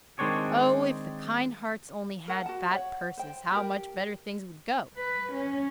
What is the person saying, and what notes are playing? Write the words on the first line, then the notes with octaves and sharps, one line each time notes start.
Oh, if the kind hearts only had fat purses, how much better things would go!
D#3 G#3 C4 D4 C#5
A#4 F#5 A5
F#4 A5
C#5 F#5
C5 G5
G4 A#4
B4
C#4